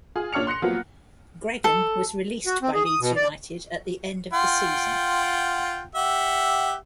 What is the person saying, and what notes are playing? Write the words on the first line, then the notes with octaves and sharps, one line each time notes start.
Gregan was released by Leeds United at the end of the season.
F4 G#4
A#2 D4 C#5 F6 C#7 F7
C6 F#6 A#6 C#7
F3 F#3 A#3 B3 F4
A4
F#4
C4
G#4
D#6
B2
D5
F4 F#5 G5
G4 E5 F#5